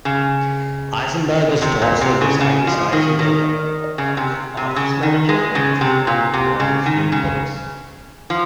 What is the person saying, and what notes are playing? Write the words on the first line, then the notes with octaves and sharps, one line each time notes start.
Eisenberger's daughter was Agnes Eisenberger, concert artist manager, and editor of "The Brahms Notebooks".
C#3
C3
A#2
C3
C#3
C#3
F3
D#3
D#3
C#3
C3
C3
C#3
D#3
G#3
C#3
C3
A#2
C3
C#3
D#3
C#3
F3